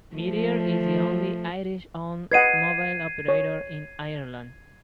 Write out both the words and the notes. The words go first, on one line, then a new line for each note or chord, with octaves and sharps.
Meteor is the only Irish owned mobile operator in Ireland.
F3 A3
B4 D#5 F#5 G#6 C7 D#7
C#5